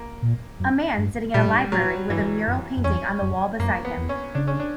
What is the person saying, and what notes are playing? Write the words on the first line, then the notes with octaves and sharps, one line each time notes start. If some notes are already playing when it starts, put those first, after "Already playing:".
A man sitting in a library with a mural painting on the wall beside him.
Already playing: A#3
A#2
F#2
G2
A#2 G3
G2
A#2
A#2 F#3
G2 E3
F#2
F#2
E2 C#4
F#2
F#2 A#3
B3
E2
C#4
C#3 D4
C#4
D4